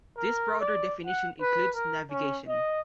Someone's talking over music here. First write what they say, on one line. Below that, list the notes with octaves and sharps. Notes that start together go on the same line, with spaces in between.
This broader definition includes navigation.
A#4
D5
F#5
B4
A#4
C#4
D#5